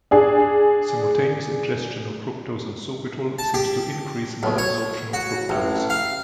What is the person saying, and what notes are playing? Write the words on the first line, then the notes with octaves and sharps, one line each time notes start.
Simultaneous ingestion of fructose and sorbitol seems to increase malabsorption of fructose.
D4 G#4
A5
G4
B1
C#5
F#4
A1
F5